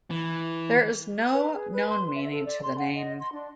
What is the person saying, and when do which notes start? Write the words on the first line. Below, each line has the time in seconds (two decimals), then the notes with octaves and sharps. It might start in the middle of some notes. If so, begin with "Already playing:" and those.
There is no known meaning to the name.
0.10 E3
1.33 B4
1.52 G#4
1.72 B4
1.88 C6
2.14 E5
2.30 A4
2.45 D5
2.61 C6
2.77 F#5
2.95 D#5
3.20 C6
3.33 D4